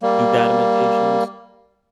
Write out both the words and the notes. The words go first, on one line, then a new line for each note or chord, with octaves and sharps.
do guided meditations.
G3 A#3